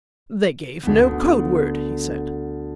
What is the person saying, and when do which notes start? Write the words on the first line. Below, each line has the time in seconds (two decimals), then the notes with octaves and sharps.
"They gave no code word," he said.
0.83 D2 B3